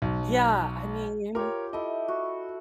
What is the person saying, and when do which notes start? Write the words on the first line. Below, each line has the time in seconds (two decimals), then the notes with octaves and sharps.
Yeah, I mean
0.02 B1
1.35 F4 G4 A#4 C#5
1.73 E4 A4 D#5
2.08 F#4